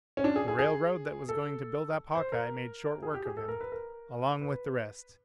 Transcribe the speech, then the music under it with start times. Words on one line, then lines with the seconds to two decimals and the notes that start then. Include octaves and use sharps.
The railroad that was going to build up Hawkeye made short work of him, along with the rest.
0.17 C#4
0.24 D4
0.36 G#4
0.48 G#4
0.59 G#4
1.29 A4
2.15 C5
2.32 A#4
3.03 G#4
3.14 G4
3.26 G#4
3.37 A4
3.48 A#4
3.61 B4
3.72 A#4
4.41 B4